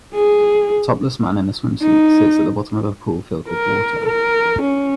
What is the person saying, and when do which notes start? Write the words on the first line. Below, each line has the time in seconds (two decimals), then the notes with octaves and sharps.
A topless man in a swimsuit sits at the bottom of a pool filled with water.
0.15 G#4
1.82 D#4
3.50 A#4
4.05 A#4
4.61 C#4